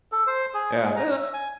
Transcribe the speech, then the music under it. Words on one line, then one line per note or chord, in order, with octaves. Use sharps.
Yeah, i
A4
C5
G#4
G#3
A#5
E5
G#5